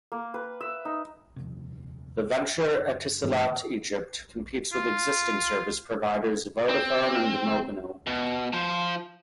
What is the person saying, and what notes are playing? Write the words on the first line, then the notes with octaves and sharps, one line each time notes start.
The venture, Etisalat Egypt, competes with existing service providers Vodafone and Mobinil.
A#3
B4
E5
D#4
D#1 F2 C3
F#1 D4
G#2 D3 E3 A#3
F4
C4
B2
F3 C5